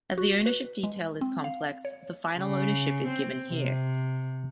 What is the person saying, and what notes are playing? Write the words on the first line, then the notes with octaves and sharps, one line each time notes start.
As the ownership detail is complex, the final ownership is given here.
F#4
B4
G#3
C4
F5
C#5
C#3
C4
C3